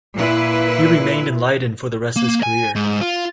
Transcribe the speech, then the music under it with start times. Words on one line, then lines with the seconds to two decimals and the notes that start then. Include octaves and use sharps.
He remained in Leiden for the rest of his career.
0.15 A#2 E4 B4
2.16 A#3
2.43 G#5
2.76 G#2
3.01 F4